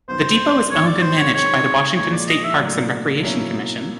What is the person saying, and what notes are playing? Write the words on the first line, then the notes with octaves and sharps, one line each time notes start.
The depot is owned and managed by the Washington State Parks and Recreation Commission.
G2 D#3 F#3 B3 C5
G#2 D#3 F#3 B3 C#5
D5
C5
C#5
D#3 G#3 C4 C#5
A#2 F3 G#3 C#5
D5
D#5
E5
A2 F#3 A#3 D4
B2 F#3 A#3 C#4 E4